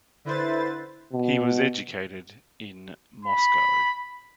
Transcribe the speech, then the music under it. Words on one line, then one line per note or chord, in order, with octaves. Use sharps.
He was educated in Moscow.
D3 E4 B4 C5 A6
B2
B5